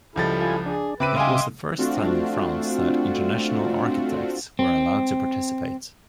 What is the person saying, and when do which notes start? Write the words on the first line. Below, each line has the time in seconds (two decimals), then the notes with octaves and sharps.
It was the first time in France that international architects were allowed to participate.
0.16 C#2 F3 G3 E4 A4 A6
0.41 F4 G#5
0.66 D4 G#4
1.00 C#3 C4 B4 E5 B5 D6 D#7
1.16 D#5 F5 G5 G#5 C6 D#6
1.78 A3 C4 D4 F4 F#4
4.59 C4